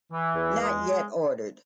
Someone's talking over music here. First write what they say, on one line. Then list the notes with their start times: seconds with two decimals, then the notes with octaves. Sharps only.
Not yet ordered.
0.11 E3
0.35 E2
0.60 G#3